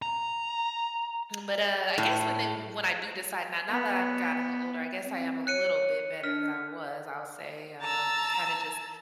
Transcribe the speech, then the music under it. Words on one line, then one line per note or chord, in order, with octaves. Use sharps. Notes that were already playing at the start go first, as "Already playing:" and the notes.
Mm, but, uh, I guess when they w when I do decide now now that I've gotten a little older, I guess I am a little bit better than I was, I'll say, um, kinda just
A#5
A2
B3
C4
C#5 F#6 C#7 D#7
D4 F6 B6
A5 A#5 E6